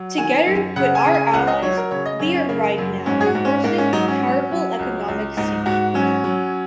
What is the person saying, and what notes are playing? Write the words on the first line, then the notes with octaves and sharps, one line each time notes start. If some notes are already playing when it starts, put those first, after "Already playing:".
Together with our allies – we are right now enforcing powerful economic sanctions.
Already playing: F#3
D#3 G#5
F#2
C#3 F#5
G#5
C#3
G#5
C#2 F#5
D#5
F#3 C#5
A#4
C#3 C#5
D#5
F#2 C#4
C#4
C#3 A#3
F#2
G#2 C#4
G#4
F#4
G#2
C#4
G#2 A#3
C#4
F#3 D#4
C#4
F#3
F#3
C#2
C#2
G#2 D#4
G#2 F#4
F#3 C#4
F#3